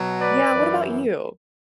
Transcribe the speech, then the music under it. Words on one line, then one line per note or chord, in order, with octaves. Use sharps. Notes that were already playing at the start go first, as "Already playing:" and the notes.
Yeah, what about you?
Already playing: B2 F#3
B4 D5
F#2 E3